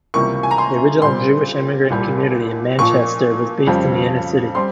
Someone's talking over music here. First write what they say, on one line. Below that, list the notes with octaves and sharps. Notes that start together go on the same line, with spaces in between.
The original Jewish immigrant community in Manchester was based in the inner city.
C#2 C3 E3 G3 A#3 C#6
G#5
A#5
C6
A#2 G3 C4 C6
C2 A#2 G3
A#2 F3 A#3 C#6
F2 C#3 G3 C4
G3 C4 C6